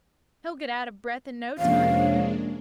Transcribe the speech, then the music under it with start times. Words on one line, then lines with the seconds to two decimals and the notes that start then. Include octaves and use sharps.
He'll get out of breath in no time.
1.58 F2 C3 G#3 A#3 C#4 D4 F5